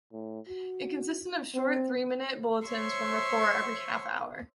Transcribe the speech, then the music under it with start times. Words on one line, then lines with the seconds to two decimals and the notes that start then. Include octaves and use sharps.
It consisted of short three-minute bulletins from "Rapport" every half-hour.
0.12 A2
0.48 F#4
1.54 C4
2.66 C5 C#5 E5 C6 C#6